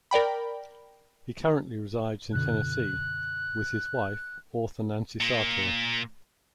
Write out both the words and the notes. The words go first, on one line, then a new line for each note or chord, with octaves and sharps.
He currently resides in Tennessee with his wife, author Nancy Sartor.
A#4 D5 G5 B5
F#2 B2 D3 F#6
A#2 A#3